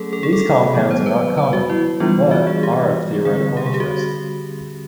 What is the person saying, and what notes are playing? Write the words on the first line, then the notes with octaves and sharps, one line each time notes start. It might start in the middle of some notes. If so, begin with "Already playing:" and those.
These compounds are not common but are of theoretical interest.
Already playing: F#3 A3 C#4 G#4 A4
A4
G#4
A4
D#3 F#3 B3
C5
B4
B4
F#4
E4
E3 G3 B3 D4 F4
F#4
G#4
G4
D3 G3 C4 G#4
G4
G#4
G4
F#4